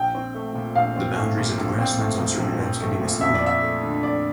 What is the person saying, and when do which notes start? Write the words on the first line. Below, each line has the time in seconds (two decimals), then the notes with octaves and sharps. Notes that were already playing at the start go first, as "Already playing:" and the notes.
The boundaries of the grasslands on certain maps can be misleading.
Already playing: A#1 G5
0.15 C4
0.34 A3
0.55 A#2
0.75 A#1 F5
0.96 C4
1.16 A3
1.37 A#2
1.58 A#1
1.78 C4
1.99 A3
2.20 A#2
2.39 A#1
2.60 C4
2.81 A3
3.01 A#2
3.21 F2 E5
3.34 D5
3.42 F2 E5
3.62 A3
3.83 D3
4.03 F2 D5